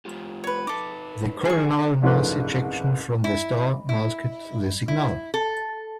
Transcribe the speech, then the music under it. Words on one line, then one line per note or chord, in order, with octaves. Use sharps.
The coronal mass ejection from the star masked the signal.
G#3 F4 G4
B4 C#5
D#4 A4 B4 D6
G#4 C#6
F#1 C2 G#2 F3 A3 B4
E4
E4
E4
A4